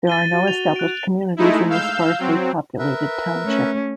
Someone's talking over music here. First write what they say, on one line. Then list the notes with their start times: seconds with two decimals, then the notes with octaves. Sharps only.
There are no established communities in the sparsely populated township.
0.07 A6 D#7 G7
0.33 F#4
0.48 F7
0.76 F#6 D7
1.37 G#3 A3 D#4 E4
1.70 F5 E6 G6
2.19 F#3 C4
2.79 A#4 B4 E5
3.43 A3 C#4